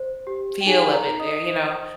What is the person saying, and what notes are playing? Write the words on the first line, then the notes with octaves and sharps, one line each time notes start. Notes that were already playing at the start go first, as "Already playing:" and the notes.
feel of it there you know?
Already playing: C5
G4
G5
D#4 G#4 G#5
A#4 A#5
D#4
D#5 D#6
C5